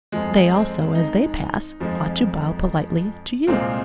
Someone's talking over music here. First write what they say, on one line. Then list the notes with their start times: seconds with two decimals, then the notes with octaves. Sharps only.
They also, as they pass, ought to bow politely to you.
0.12 F2 F3 G#3
0.54 C4
0.95 D#4
1.80 F2 F3 G#3
3.47 C2 A#2 G#3 C4 F4